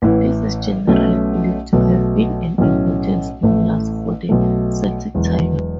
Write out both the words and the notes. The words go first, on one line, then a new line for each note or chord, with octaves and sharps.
This is generally believed to have been an important stimulus for the Celtic Tiger.
A1 A2 E3
B1 B2 A3 C#4
B1 B2 A3
B1 A2 A3 C#4
A1 A2 A3 E4
B1 B2 A3
E1 E2 B2 F#3